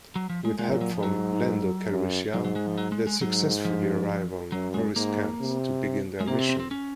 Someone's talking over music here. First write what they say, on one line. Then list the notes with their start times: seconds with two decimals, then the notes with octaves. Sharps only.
With help from Lando Calrissian, they successfully arrive on Coruscant to begin their mission.
0.16 F#3
0.30 F3
0.45 G#3
0.59 A#2 G#3
0.70 F#3
0.81 F#3
0.92 F3
1.03 G#2 F#3
1.90 F#2
2.34 G#2 F#3
2.45 F#3
2.56 G#3
2.67 F3
2.78 F#3
2.92 G#3
3.07 G#3
3.21 G#2 F#3
3.65 F3
4.52 F#2 F#3
4.74 G#3
4.96 G#2 A#3
5.40 C3
6.20 G#3
6.27 C3 A#3
6.39 C4
6.49 C4
6.60 C4
6.71 C#4